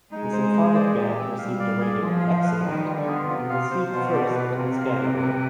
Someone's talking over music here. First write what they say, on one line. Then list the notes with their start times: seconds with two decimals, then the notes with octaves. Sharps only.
The Symphonic Band received a rating of "excellent" and received first in its category.
0.11 G#3 D#4
0.33 C5
0.54 G#4
0.74 D5
0.96 G4
1.18 C4
1.38 G3 F5
1.60 D5
1.80 G#4
2.01 F3 F4
2.22 F5
2.44 B4
2.66 D#3 G3
2.86 F4
2.97 D3
3.07 B3
3.28 C3 F4
3.49 F5
3.71 C5
3.91 B2 F4
4.12 D5
4.34 B4
4.55 C3 F4
4.77 F5
4.97 B4
5.18 B4